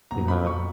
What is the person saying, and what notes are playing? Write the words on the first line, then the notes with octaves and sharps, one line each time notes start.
You have.
A#1 A#2 F#3 B3 A#5
B5
C#6